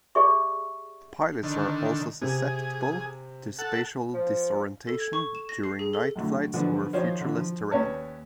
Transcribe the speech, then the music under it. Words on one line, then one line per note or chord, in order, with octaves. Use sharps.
Pilots are also susceptible to spatial disorientation during night flight over featureless terrain.
G4 G#4 D5 E5 C#6
D3 D#3
C3 G#4
A4 F#5
F3
A4
G#6
C#6
E7
A#6
C7
G#4
A4
F#2 A2 D3
D3 F3 F#3 B3 D4
D#3 F3 C5 C#5 F5
D3 E3
F3
D#2 C#4 B4 C#5 D5 A5